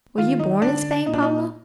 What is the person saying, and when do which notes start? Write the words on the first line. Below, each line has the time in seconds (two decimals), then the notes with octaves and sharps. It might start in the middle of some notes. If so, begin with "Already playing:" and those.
"Were you born in Spain, Pablo?"
0.18 D#3 F4
0.39 D#4
0.62 D3 D4
1.06 A#2 D#4
1.14 D4
1.22 D#4